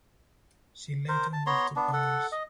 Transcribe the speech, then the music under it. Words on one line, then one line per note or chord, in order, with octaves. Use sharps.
She later moved to Paris.
A#4 C5
A5
B3 C#5 A#5 C6
B3 D4
A4 F#5
D#5